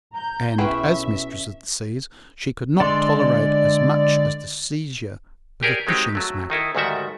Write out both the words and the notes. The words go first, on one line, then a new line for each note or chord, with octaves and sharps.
And as mistress of the seas, she could not tolerate as much as the seizure of a fishing-smack.
A#5 G6
B1 C#4 E4 G#4 B4 E5 G5
D3 G#3 D5 C6
G4 G#4 A#4 C#5 D5
F#3 G#3 C4 D#4 G4
F#3 A3
D#3 D#4 E4 A4
D2 G#2 D#3 G3 F#4 E5